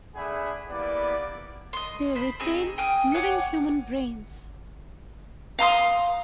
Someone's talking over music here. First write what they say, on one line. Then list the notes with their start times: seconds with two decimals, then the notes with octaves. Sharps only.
They retain living human brains.
0.15 A3 D4 G#4 E5 F#5 B5
0.69 A#3 B3 E4 G4 D5
1.73 D#5 C6
2.15 C5 B5
2.40 C4 D#4 G#4
2.78 G5 G#5 D#6 F6
3.14 C#5 F#5 G#5 D6
5.59 F5 A#5 C6 D#6